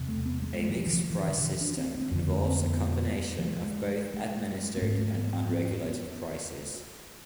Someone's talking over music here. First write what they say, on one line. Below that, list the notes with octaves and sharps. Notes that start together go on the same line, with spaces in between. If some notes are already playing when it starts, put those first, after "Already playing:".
A mixed price system involves a combination of both administered and unregulated prices.
Already playing: E2 C3
A3
B3
G#3
A3
E3
F3
E3
F3
E3
D3
D3
E3
D4
C4
C4
F2 D3 B3
A3
C4
B3
F3
G#3
G#3
B3
G#2 A3
G#3
A3
B3
C4
C4
B3